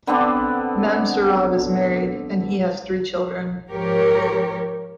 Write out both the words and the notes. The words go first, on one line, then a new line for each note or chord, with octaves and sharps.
Mamsurov is married, and he has three children.
D3 B3 C4 D4
G#2 F3 G4 A#4 C#5